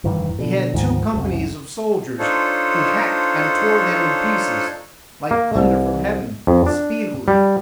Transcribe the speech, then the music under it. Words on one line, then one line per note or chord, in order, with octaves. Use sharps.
He had two Companies of Soldiers who hackt and tore them in pieces, like Thunder from Heaven speedily.
F1 G2 D#3 E3
B2 D3
D2 G#2 D#3 F3
F#1 C2 F#2
D4 D#4 F4 A4 C5 C#5
A#3
C2
F2
D4
G3